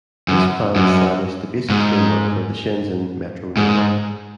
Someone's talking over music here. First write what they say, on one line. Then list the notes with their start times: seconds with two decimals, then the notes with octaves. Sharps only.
This plan established the basic framework for the Shenzhen Metro network.
0.28 F#2
0.76 F#2
1.70 G#2
3.57 G#2